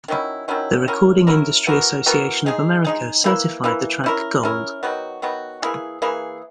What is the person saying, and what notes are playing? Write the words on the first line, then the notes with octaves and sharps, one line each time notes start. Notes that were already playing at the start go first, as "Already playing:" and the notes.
The Recording Industry Association of America certified the track Gold.
D#3 F#3 C#4 E4
D#3 F#3 C#4 E4
F#3 C#4 E4 A#4
F#3 C#4 E4 A#4
E3 B3 F#4 A#4
E3 B3 F#4 A#4
G#3 D#4 G#4
G#3 D#4 G#4
E3 A#3 E4
E3 A#3 E4
C#4 E4 A#4
C#4 E4 A#4
D#3 F#3 B3 F#4
D#3 F#3 B3 F#4
E3 A#3 E4 G#4
E3 A#3 E4 G#4